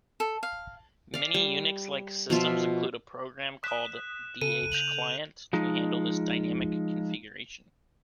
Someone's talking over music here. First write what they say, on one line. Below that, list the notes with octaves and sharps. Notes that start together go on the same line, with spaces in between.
Many Unix-like systems include a program called dhclient to handle this dynamic configuration.
A4
F5
D5 F5
G3
B2 F3 F4 E5
D#6 F#6 B6 E7
C#3 A4 D#7
G6 F7 F#7
F3 G#3 D#4